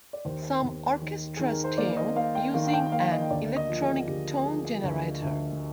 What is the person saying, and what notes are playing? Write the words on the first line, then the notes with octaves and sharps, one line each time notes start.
Some orchestras tune using an electronic tone generator.
D5
D#2 C5
D#2
D#3
D#3 G#4
A#4
C5
A#3 D5
D#5
A#3 F5
G5
D#3 F5
F5
G5
A#3 F5
D#5
D2 D5
D#5
F3
G#4
G#4
D2 G4
F3 G#4
D2
D2